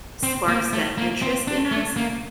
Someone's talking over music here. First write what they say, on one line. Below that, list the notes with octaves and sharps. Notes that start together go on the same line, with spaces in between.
sparks that interest in us,
C4
A#3
A3
A#3
C4
D4
A3
A#3